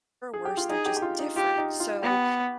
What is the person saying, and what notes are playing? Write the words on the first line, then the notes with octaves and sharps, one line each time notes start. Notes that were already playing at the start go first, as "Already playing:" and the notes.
or worse, they're just different. So
G#4
G4
F4
D#4 G#4
G4
G4
F4
D#4
F4 G4
D#4
F4
B3 G4